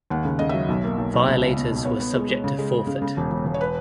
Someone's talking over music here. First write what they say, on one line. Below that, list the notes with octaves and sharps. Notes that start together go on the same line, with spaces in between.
Violators were subject to forfeit.
D#2 F#5
C#3
C#3 D#5
F#3 E5
B1
A#3
B1
B1
C#2
C#2
B2
B2
B3 C#5
B3
G#3
G#3
C#3
G#3
G#3
C#3
C#3
E1
E1
E1
C#5
B4